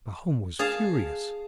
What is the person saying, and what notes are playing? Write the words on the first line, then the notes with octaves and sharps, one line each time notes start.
Pahom was furious.
G#4 F5 A5